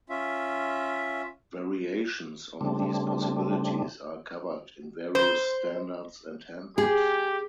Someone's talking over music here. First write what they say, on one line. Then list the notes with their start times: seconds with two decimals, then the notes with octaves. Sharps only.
Variations on these possibilities are covered in various standards and handbooks.
0.09 C#4 F4 E5
2.61 C#3 G3 A3 C4 D4
5.15 C5
6.78 G4 G#4